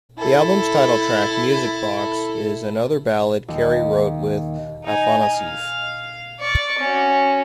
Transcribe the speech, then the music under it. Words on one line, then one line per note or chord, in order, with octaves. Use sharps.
The album's title track, "Music Box", is another ballad Carey wrote with Afanasieff.
E4 A4
D#2
D#4 G#5
F5
D5 C#6
C#4 F#4